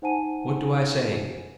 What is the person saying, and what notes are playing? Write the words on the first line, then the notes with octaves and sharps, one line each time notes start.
What do I say?
D#4 C5 F#5 G#5 A5 D#7